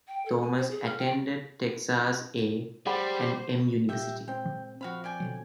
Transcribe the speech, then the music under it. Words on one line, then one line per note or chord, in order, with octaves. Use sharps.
Thomas attended Texas A and M University.
G5
A4
G#5
C5
G#4
F6
G5
G3 G#4 C5 F#5 B5
A#2 G3 G4 E5 G5
G#3 C4 G5
F3 C4 F#4 F5 B5
D5 G5 G#5
B2 D3 F#3